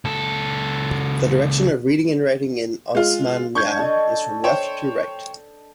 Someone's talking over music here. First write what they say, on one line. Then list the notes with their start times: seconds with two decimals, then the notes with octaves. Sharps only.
The direction of reading and writing in Osmanya is from left to right.
0.05 C#2 A4
2.95 G#3 F4
3.55 D4 C#6 G6 G#6
3.79 A4 D#5
4.44 C5 C#5 G5